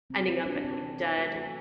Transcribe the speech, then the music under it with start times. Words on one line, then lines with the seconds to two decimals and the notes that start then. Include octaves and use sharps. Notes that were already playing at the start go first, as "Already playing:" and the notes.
ending up at, like, a dud.
0.10 C3 C4
0.27 F#3 C4
0.46 B3 D4
0.56 D4
0.64 C3 C4
0.81 E3
1.00 E3 A4
1.18 A3 F#4
1.35 A3 A4